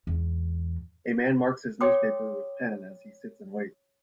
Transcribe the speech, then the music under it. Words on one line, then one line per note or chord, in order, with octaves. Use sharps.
A man marks his newspaper with pen as he sit and waits.
E2 G#2
C#5 G5 C6 D6 D#6